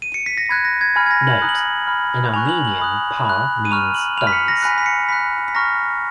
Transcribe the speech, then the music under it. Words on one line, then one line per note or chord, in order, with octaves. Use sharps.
Note: in Armenian "par" means "dance".
D#7
C#7
B6
A#6
B5 F#6 G#6
A#6
G#6
G#5 B5 F6 G#6
G#6
A#6
F#7
A#5 D#6 F#6
F#7
B5 F6
G#5 C#6 F#6 F7
F7
F#7
F#7
B5 D#6 F#6
B5 F#6
D#7
A#5 C#6 F6 F7
F#7
B5 F6 F7
B6
C#7
A#6
G#5 B5 F#6 B6
B6
C#7
B5 F#6 B6
B6
A#5 C#6 F6 A#6